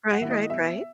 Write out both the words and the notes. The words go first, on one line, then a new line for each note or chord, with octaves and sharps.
Right, right, right.
F#5
D#3 A#3 E4 E5
D#5
B2 E5